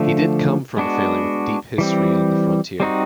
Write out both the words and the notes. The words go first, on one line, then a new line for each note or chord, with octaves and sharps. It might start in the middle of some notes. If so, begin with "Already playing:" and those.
He did come from a family with deep history on the frontier.
Already playing: D3 F3 A3
G#3 B3 D4 F#4
E3 G3 C4
G3 C4 D#4 F#4